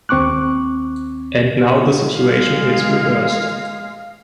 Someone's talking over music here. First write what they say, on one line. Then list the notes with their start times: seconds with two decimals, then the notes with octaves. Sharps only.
And now the situation is reversed.
0.09 D#2 C4 C#6 D6 F#6
2.18 G#3 F5